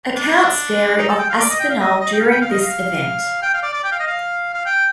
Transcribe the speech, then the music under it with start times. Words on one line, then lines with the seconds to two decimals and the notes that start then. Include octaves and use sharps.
Accounts vary of Aspinall during this event.
0.16 D4
0.98 D#4
1.09 A4
1.19 G5
1.29 F5
1.39 D5
1.50 D#5
1.59 G5
1.69 F5
1.80 D#5
2.01 D#5
2.13 G5
2.20 F5
2.30 G5
2.41 F5
2.51 D#5
2.61 F5
3.42 G5
3.54 F5
3.63 D5
3.73 D5
3.84 G5
3.92 F5
3.99 D#5
4.07 F5
4.54 F5
4.65 G5